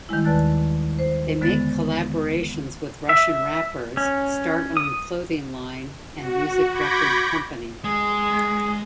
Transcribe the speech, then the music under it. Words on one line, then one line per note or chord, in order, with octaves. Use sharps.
They make collaborations with Russian rappers, start own clothing line and music record company.
D#3 G3 G#3 E4
D#2 B4 D5 A5 F#6 A6
C5
D3 G#3 B3 A6
E5
C#4
D#6
F#4
B5 C#6 D6 G6 G#6 A#6
G#3 G#4